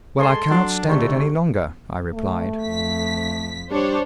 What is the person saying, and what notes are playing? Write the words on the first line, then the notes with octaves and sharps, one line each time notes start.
"Well, I cannot stand it any longer," I replied.
G#3 A4 A5 C6 C7
F#3 D4
G#2 D3 A3 D4 G4 C#6
A3
F2 B6
G3 D4 C5 C#5